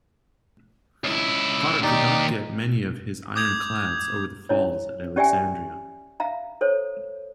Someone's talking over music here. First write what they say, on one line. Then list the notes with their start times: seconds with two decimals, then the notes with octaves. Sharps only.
Porter could not get many of his ironclads over the falls at Alexandria.
1.04 C#2 E4
1.83 D#2 D#4 G4 D5
3.35 D6 D#6 G6 G#6 F7
4.49 C#4 E4 C#5
5.16 C#4 G4 D5 E5 G5 G#5
6.20 E5 F5 A#5
6.61 A4 C5 C#5